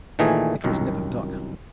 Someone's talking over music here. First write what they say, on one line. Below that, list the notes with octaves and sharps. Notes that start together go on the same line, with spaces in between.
It was nip and tuck.
A#2 D#3 E3 A3 G#4
C2 F#2 D#3